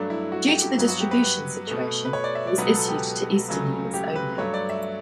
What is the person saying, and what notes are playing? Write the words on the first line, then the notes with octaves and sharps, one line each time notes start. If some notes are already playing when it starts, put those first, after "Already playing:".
Due to the distribution situation, it was issued to eastern units only.
Already playing: G2 F#3 A3 D4
E4
F#4
G4
G4
G2 F#3 B3
F#4
G4
B4
B4
B2 A3
B4
C#5
D5
E5
D5
C#2 B2 F#3 B3 B4
A4
G4
C#2 C#3 F#3 A3
G4
B4
G2 F#3 A3 C#5
D5
E5